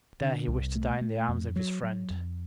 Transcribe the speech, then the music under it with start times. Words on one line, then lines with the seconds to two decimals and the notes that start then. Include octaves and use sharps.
There he wished to die in the arms of his friend.
0.21 D3
0.48 C2
0.75 A3
1.01 A3
1.29 F2
1.56 F#3
1.83 F#3
2.10 F2